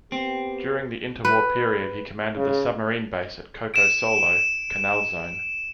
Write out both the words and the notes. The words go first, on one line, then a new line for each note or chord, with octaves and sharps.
During the inter-war period, he commanded the Submarine Base at Coco Solo, Canal Zone.
B3 C4 G4
B4
C#3
D7 E7